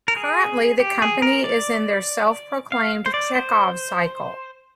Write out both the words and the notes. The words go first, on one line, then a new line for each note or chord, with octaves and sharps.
Currently the company is in their self-proclaimed "Chekhov Cycle".
A#4
G#4
G4
G#4
A#4
D5
F5
C5
D5
C5